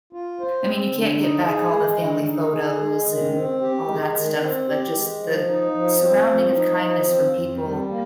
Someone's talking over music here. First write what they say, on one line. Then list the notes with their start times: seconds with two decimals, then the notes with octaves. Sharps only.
I mean, you can't get back all the family photos and all that stuff, but just the surrounding of kindness from people
0.13 F4
0.40 C5
0.66 C4
0.93 D3
1.20 D#4
1.47 G#4
1.74 G#3
2.00 D3
2.27 D#4
2.53 G#4
2.80 G#3
3.07 D#3
3.34 C4
3.61 G4
3.88 G#3
4.15 D#3
4.41 C4
4.68 G4
4.95 G#3
5.21 F3
5.48 D#4
5.75 F3
6.01 C4
6.29 F3
6.56 D#4
6.82 F3
7.08 C4
7.35 F2
7.62 G3
7.89 A#3